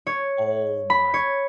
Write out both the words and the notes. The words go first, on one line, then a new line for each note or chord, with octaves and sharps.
Oh my
C#5
B5
C#5